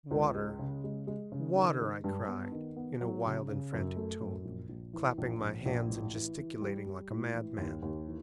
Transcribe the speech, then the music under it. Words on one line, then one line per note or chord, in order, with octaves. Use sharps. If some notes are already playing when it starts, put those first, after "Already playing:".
"Water, water!" I cried, in a wild and frantic tone, clapping my hands, and gesticulating like a madman.
C#2
G#3
C#3
G#3
G#3
C#3
D#3
G#3
G2
B3
D#3
B3
F#3
C#3
C#3
F#2
A3
F#2
A#1
A#1
E3
A#1
A#1
A#1
A1
E3
E3
G3
G3
A2
E3
D#2
D#2
E3